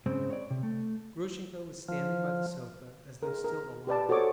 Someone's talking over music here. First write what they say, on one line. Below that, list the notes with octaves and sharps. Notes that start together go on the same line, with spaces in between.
Grushenka was standing by the sofa as though still alarmed.
G#2 C#3 G#3 C4
C#5 D5
C3
A3
F3
G#4 A#4
A#4
G4 B4 D5 A5
F#4 A4 C5 C#5 D6 D#6